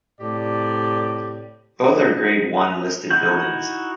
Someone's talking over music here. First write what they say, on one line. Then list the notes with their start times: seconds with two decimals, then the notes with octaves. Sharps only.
Both are grade one listed buildings.
0.21 A2 C3 G4 D5
3.11 D#4 E4 F#4 G6